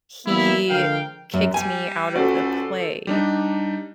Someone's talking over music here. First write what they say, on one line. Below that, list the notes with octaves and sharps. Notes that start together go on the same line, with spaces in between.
…he kicked me out of the play,
E3 G3 A#3 B3 E4
D3 F3 G#3 A#4 F5 G5
F#2
G3 G#5
C#2 F#4 A4 C5 D5
G3 D4 D#4